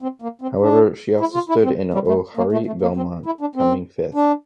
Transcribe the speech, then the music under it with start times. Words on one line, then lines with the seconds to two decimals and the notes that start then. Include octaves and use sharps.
However, she also stood in Ohariu-Belmont, coming fifth.
0.02 C4
0.22 A#3
0.41 C4
0.61 D4
1.20 E4
1.34 F4
1.49 E4
1.64 C4
1.93 G3
2.08 A3
2.37 A#3
2.52 A3
2.66 A3
2.82 A#3
2.97 C4
3.26 E4
3.41 D4
3.55 C4
4.14 D4